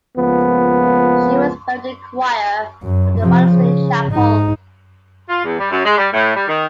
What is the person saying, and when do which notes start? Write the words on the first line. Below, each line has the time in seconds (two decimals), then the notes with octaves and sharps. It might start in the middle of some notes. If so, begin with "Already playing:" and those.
She was buried in the choir of the monastery chapel.
0.18 C#2 F3 A#3 B3
2.83 F#2
3.19 C3 F3
3.53 C#3
4.13 G#2 D#4
5.29 F4
5.45 E2
5.59 G3
5.71 F#2
5.85 G#3
5.98 G3
6.13 A2
6.35 G3
6.48 D#3